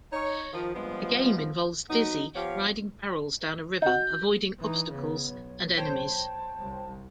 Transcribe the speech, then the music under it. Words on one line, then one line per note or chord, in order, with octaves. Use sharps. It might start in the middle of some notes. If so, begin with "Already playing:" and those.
The game involves Dizzy riding barrels down a river avoiding obstacles and enemies.
D#4 C#5
D#3 F3
G2 A#2 F3 G#3 B3
F#3 B3 D#4
F3 B3 G4 C#5 F5
D#4 F#4 G6
E3 D#4
C#3 B3 C#5
B1
C5 C#5 G5 A5
C2